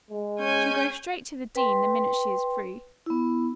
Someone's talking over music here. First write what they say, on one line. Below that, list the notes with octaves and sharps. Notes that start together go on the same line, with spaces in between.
She'll go straight to the dean, the minute she is free.
G#3
C#4 G#5 G6
B4 G5 C6
B3 E4